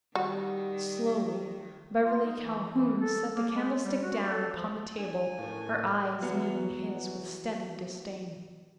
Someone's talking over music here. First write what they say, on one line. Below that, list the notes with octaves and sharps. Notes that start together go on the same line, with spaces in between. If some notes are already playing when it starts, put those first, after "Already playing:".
Slowly Beverly Calhoun set the candlestick down upon the table her eyes meeting his with steady disdain.
D#3 G3 F#4
F4
D#4
E3
E3
A4
A#3
G#3
G3
F#4
A4
F3
D4 G#5
A2 D#3 C#4 E4 A#4 B4 F5
E3 F#3 B3